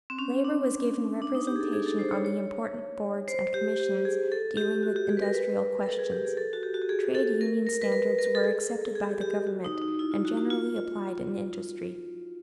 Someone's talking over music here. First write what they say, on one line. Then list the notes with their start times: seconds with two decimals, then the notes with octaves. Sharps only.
Labor was given representation on the important boards and commissions dealing with industrial questions. Trade union standards were accepted by the government and generally applied in industry.
0.10 C4
0.19 C#4
0.44 D4
1.22 D4
1.35 D#4
1.47 G4
1.56 G#4
1.61 A4
1.73 G#4
1.86 A4
1.99 C5
2.12 C#5
2.25 C#5
3.28 C5
3.54 G4
3.80 G4
4.05 G#4
4.32 A4
4.57 G4
4.83 F#4
4.96 G4
5.09 G#4
5.17 B4
5.22 A#4
5.35 B4
5.83 A#4
5.86 A4
5.99 G#4
6.12 G4
6.25 G#4
6.37 A4
6.53 F#4
6.63 G4
6.74 F#4
6.82 G4
6.89 G#4
7.15 A4
7.41 A#4
7.67 A#4
7.82 B4
7.92 A#4
8.18 A#4
8.35 A4
8.44 G#4
8.69 A4
8.95 G#4
9.04 G4
9.12 G#4
9.21 G4
9.47 F#4
9.65 D#4
9.82 D#4
9.99 E4
10.12 F4
10.25 F#4
10.37 F#4
10.50 F4
10.76 F4